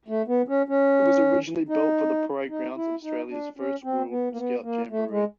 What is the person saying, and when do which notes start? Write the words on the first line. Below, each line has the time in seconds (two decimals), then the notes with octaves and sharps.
It was originally built for the parade grounds of Australia's first World Scout Jamboree.
0.08 A3
0.28 B3
0.48 C#4
0.68 C#4
1.69 D#4
2.49 D#4
2.77 E4
3.03 D#4
3.30 D4
3.57 C#4
3.84 C4
4.10 B3
4.33 A#3
4.37 B3
4.63 A#3
4.90 A3
5.10 G#3